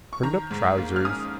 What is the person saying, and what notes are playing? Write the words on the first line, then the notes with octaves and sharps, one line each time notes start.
Turnedup trousers.
C#6
D#3 A#5
G#2
A#3
F6
C#4 D#6